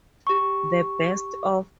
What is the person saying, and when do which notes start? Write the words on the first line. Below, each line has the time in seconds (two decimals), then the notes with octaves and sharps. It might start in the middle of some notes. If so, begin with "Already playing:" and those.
The Best Of.
0.27 G4 C#6